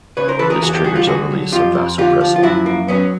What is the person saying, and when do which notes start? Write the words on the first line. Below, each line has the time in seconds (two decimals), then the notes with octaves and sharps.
This triggers a release of vasopressin.
0.17 C#3 B4 C#5
0.28 A#4 C5
0.39 E3 A4 B4
0.50 G#4 A#4
0.62 E2 F#4 G#4
0.74 G4 A4
0.84 G3 F#4 G#4
0.96 F4 G4
1.07 D3 F#4 G#4
1.31 F#3
1.52 F2 F4 G4
1.75 F2
1.98 D3 F4 G4
2.21 F3
2.36 F4
2.43 F#2 E4 F#4
2.66 A#3
2.88 F#3 B3 C#4